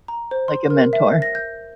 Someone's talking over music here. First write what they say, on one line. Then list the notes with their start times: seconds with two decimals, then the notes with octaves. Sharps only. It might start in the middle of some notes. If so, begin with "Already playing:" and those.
Like a mentor.
0.08 A#5
0.31 C5
0.48 C6
0.70 A#4
0.93 E5
1.22 A#6
1.35 G6